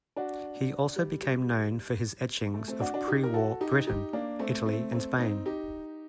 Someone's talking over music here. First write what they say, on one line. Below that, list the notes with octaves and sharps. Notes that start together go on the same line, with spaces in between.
He also became known for his etchings of pre-war Britain, Italy and Spain.
D4 F#4
G3
G3
A3
A3 C4
D4 F#4
D4 F#4
D#4 G4
A#4
F#4 A4
D#4 G4
D#4 G4
A#3 D4
A3 C4
A3 C4
A3 C4
C4 D#4
D#4 G4